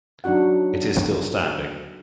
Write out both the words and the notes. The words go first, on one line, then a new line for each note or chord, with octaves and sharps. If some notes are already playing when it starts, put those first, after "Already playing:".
It is still standing.
F#3 D4 D#4 F#4 F#5